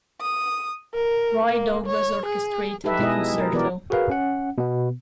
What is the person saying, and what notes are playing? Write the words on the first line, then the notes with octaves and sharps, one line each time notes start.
Roy Douglas orchestrated the concerto.
D#6
A#4
A#3
C#5
G#4
D#4 G4 A4 B4 E5
B2 G#3 E4 G#4 D#5
F#3 A#4
E3 B3 A#4 D5
F#4 G#4 A#4 B4 F5
C#4 F#5
B2 B3